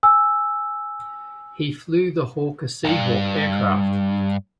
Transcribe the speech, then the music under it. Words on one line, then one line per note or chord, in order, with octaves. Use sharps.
He flew the Hawker Sea Hawk aircraft.
G#5 E6
B1 G2